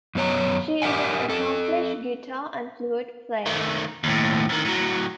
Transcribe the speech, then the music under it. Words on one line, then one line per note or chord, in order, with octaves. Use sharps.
She is an accomplished guitar and flute player.
F#2 B3 C#5 A#5
G4 A#4 E5 F#5 G#5
C4 A4
D#3 A3
D#2 A2
F2 D#3
A2 F#3